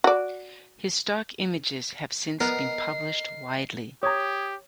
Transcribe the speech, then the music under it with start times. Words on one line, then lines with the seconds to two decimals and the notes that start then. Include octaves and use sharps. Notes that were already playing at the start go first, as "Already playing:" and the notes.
His stock images have since been published widely.
0.04 F#4 D5
2.40 B3 A#4 B4 D#5 C7
4.03 G4 C#5 A#5 D#6 G#6